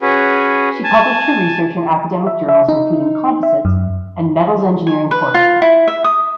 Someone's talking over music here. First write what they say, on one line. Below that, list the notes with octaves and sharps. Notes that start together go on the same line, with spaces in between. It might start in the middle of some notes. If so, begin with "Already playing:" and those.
She published her research in academic journals including "Composites" and "Metals Engineering" "Quarterly".
C#4 F#4 G#4 B4
G#5 A5
E5
E5
D#4
E5
F#2
G#5
B4
F4
E4
E5
D#6